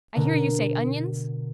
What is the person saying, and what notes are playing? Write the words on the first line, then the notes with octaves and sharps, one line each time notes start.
I hear you say onions?
B2 D3 A#4